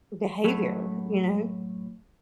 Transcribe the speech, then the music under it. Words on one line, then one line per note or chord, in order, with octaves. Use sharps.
behavior, you know?
F#2 A2 F#3 A3